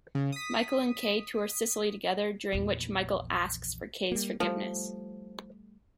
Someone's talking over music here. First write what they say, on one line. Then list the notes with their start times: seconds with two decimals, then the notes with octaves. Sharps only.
Michael and Kay tour Sicily together, during which Michael asks for Kay's forgiveness.
0.15 C#3
0.32 D#6 B6
2.53 A#1 E2
4.12 G3 A#3
4.40 F3 G3 A3